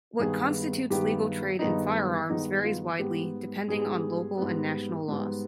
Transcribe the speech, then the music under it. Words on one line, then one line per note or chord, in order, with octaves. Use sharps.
What constitutes legal trade in firearms varies widely, depending on local and national laws.
G2 D#3 G#3 B3 G#4
G2 D#3 G#3 B3 G4
G2 D#3 G#3 B3 D#4
G2 D#3 G#3 B3 D#4
F4
G#2 G3 B3 G4
G#2 G3 B3 G#4
G#2 G3 B3
G#2 G3 B3